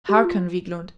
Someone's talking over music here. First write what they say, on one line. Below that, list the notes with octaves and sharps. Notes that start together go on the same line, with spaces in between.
Hearken, Viglund!
G4
F4